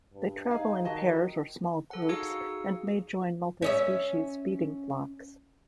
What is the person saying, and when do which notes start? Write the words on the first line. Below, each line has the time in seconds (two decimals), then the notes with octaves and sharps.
They travel in pairs or small groups, and may join multi-species feeding flocks.
0.12 G2
0.51 D#4 G#4 F5
0.85 D#3 F#4 D#5 A5
1.91 A4 F#5
2.09 D#4 F#4 G#4 F5 E6 C#7
3.62 C#4 D#5 E5